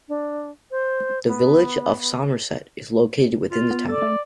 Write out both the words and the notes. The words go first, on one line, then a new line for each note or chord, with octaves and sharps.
The Village of Somerset is located within the town.
D4
C5
B3
F4
B3
A4 D5
A3